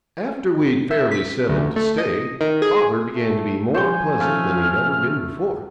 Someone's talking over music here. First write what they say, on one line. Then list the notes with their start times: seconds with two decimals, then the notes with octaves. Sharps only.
After we'd fairly settled to stay, father began to be more pleasant than he'd ever been before.
0.91 E5
1.11 B6
1.49 D2
1.76 A3
1.98 D#5
2.41 D#3
2.62 G#4
3.16 A3
3.74 F3 C5 C#5 G#5 C6 G6
4.20 C#3 A3 F6